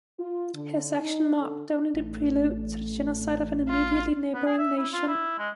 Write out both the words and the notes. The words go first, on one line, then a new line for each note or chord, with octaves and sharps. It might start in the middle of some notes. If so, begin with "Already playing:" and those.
His action marked only the prelude to the genocide of an immediately neighboring nation.
F4
D3
D#4
D3
A1 A3
F4
B3
G#4
E5
E4
F4
E4
G#3